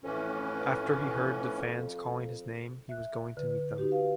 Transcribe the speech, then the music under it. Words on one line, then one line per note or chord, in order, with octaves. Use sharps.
After he heard the fans calling his name he was going to meet them.
F2 A2 E3 C#4
E5 F#6
D3 B4
D#4 F#4 G4
B4 F5